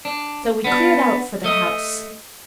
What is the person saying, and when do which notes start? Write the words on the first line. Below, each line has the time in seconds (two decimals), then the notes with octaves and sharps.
So we cleared out for the house.
0.05 D4
0.64 B3 D4
1.44 A3 D#5